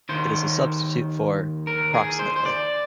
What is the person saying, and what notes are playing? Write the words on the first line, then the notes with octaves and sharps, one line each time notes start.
It is a substitute for "approximately".
D#2 D#3 C5
A#4
G#4
C5
C5
D5